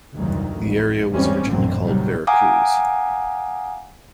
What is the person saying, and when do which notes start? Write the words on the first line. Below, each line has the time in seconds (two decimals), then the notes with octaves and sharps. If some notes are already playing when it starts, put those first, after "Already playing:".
The area was originally called Vera Cruz.
0.15 F1 D2 G2 D#3 F#3
0.58 A1 F2
1.11 G#1 E2 G2 G3 C4 C#4
1.46 A1 F#2 A#2 D3 F#3 C4
1.83 D#2 C3 D#3 F#3 G3
2.27 F5 F#5 G#5 A#5 D6 D#6